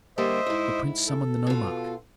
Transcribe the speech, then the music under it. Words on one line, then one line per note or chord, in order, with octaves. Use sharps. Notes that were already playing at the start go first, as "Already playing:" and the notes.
The prince summoned the nomarch.
D3 G3 A#3 C5 D#5 E5
G#2 E4
A4
B2 F4